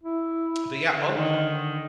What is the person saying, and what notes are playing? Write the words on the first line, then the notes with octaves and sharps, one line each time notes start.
But, yeah, oh
E4
D3
D#3